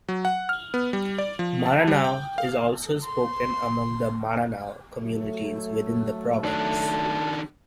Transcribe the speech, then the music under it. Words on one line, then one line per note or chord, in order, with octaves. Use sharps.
Maranao is also spoken among the Maranao communities within the province.
F#3
F#5
F6
B3
G3
D5
F3
A5
G3
G5
F5
C6
F#3 A3
D#3 D4 A5